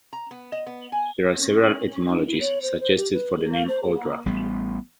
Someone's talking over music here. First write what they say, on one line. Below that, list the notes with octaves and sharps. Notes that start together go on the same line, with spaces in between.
There are several etymologies suggested for the name "Odra".
A#5
B3
D#5
B3
G#5
D#4
E4
C#5
C5
C5
G4
B4
G#4
F5
C5
G#4
A1 G3 B3